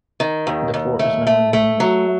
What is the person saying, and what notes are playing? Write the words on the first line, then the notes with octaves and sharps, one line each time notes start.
The fort is now in ruins.
D#3
D#2
D#2
A3
A3
A3
F#3